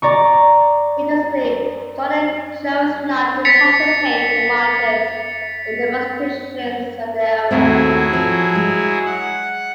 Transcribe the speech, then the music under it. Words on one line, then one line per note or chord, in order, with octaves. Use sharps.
Interestingly, Jordan chose not to participate in the marches and demonstrations of the era.
D5 A#5 C#6
A6 B6 C#7 F7
D#2 F#3 A3 C4 E4 G#4
F3
G#3
F#5